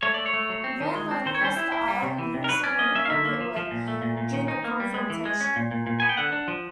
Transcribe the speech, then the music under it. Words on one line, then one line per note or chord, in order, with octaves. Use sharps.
Van Loan crossed the aisle and used an inappropriate word during the confrontation.
A3 C#5
A3 D5
C#5
A3
F#3
C4
D#3
G#3
C4
D#3 C5
C#5
G3 C5
E4
E4
G3
C3
E3
C3
A#4
F#3 B4
C#4 D5
A#3 D#5
F#3 E5
F5
D3 E5
A#3
F3
F3
A#2
A3
A#2
A#2
D#3
D#4
A#3
G3
G#3
E3
G#3
C#4
A#2
A#2
A#2
B3 G#5
G5
D3 F#5
D4
F3